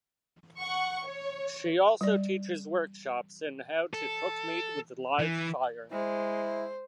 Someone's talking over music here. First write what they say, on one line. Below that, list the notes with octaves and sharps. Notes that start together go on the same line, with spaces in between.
She also teaches workshops in how to cook meat with live fire.
F#5 C#6
C#5
G3 D5
A4
E3
G#3 E4 C5